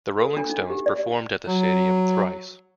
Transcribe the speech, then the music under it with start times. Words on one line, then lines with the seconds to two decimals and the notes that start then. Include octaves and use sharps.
The Rolling Stones performed at the stadium thrice.
0.22 A4
0.37 D4
0.50 D#4
0.70 G4
0.86 D5
1.47 F#3